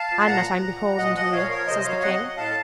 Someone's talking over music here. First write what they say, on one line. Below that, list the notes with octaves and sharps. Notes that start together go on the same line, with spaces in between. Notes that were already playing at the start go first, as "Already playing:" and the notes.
"And that I'm beholden to you," says the king.
Already playing: F5 A5
F3
A#2 F#5 A#5
F3
A#2
F3
A#2 D#5 F#5
F3 D#5 F#5
A#2 C#5 F5
F3 A#4 C#5
C3 C5 D#5
F#3 C#5 F5
C3 D#5 F#5
F#3
A2 F5 A5